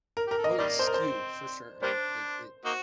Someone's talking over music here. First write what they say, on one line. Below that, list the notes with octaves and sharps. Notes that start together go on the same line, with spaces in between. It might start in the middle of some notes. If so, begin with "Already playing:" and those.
Oh, it's skewed for sure. Like, it
A#4
G4
A#4
A4
D#5
A#3
D#3 G3 A#3 D5
C5
A#4
C5
C4
G3 A#3 D4 C5
A#3 D#4 F#4